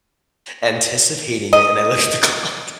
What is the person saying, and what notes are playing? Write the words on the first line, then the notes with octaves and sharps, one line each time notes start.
anticipating it. And I look at the clock,
D#5